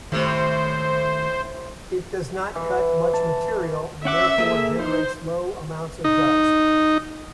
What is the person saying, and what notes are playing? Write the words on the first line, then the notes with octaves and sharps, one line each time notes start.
It does not cut much material and therefore generates low amounts of dust.
A2 C3 D#3 A3 C5
E3
A5
C#4 E5 F#5 D6
A#3 G#4 A4
D#4 C5
D#4